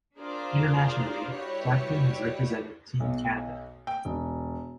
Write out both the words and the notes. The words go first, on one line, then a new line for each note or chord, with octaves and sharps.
Internationally, Jackman has represented Team Canada.
D4 F4 G#4 A#4 C5 D5
G3 E4 F#4 G4 B4 C#5
B1
G5
E1